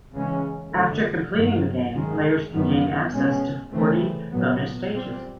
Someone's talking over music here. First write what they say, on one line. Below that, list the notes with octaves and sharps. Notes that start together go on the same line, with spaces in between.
After completing the game, players can gain access to forty bonus stages.
C#3 E3 G#3 C#4
F2 D3 F3 A3
G2 D#3 F#3
F#2 D#3 G#3
F#2 D#3 G3 B3
B2 G#3 C#4
C#3 E3 A3 C4
A#2 F#3 B3
A#2 G3 C4